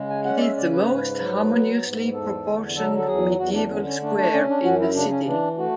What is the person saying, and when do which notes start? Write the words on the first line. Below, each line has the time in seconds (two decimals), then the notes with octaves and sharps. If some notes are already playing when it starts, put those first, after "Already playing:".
It is the most harmoniously proportioned medieval square in the city.
Already playing: C#3 G#3
0.10 G#5
0.25 C#4 F#5
0.37 D5
0.41 E5
0.56 C#3 D5
0.72 B4
0.87 G#2
1.19 F#3
1.51 B3
1.82 G#2
2.13 E2 A4
2.45 D3
2.76 F#3 A4
2.97 A4
3.07 E2 G#4
3.38 E2 F#4
3.54 D4
3.70 D3 C#4
3.85 C#4
4.01 A3 D4
4.17 D4
4.32 C#4 D4
4.48 D4
4.64 F#2 F#4
4.79 E4
4.95 C#3 D4
5.10 C#4
5.26 E3 D4
5.58 A3 F#4